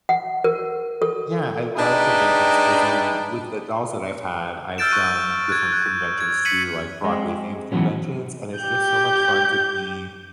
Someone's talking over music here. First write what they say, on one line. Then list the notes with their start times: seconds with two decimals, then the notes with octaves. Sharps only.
Yeah, I love conventions 'cause, I mean, with the dolls that I've had, I've done different conventions too, like Broadway themed conventions, and it's just so much fun to be
0.09 F#5
0.44 A#4
1.02 A4
1.77 D4 D#4 G#4 B4 E5 G5
4.78 E6 F6 G6 A6 D7 E7
4.91 C#6 F#6 D#7
5.49 F#6 G#6
5.73 F#6
6.20 G#6
6.45 B6 C#7 D#7 F#7
7.05 G#3 C4
7.72 E3 F#3 B3 C#4
8.60 G4 G6